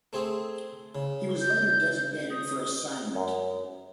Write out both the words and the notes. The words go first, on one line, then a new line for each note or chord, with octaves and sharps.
He was later designated for assignment.
A3 C4 G#4
C#3
G6
D#6
F#2